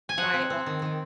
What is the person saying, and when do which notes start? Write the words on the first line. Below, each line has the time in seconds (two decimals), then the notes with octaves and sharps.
my, well
0.09 G#5
0.17 F3 F#5
0.34 C4
0.50 C4
0.66 D#3
0.82 D#3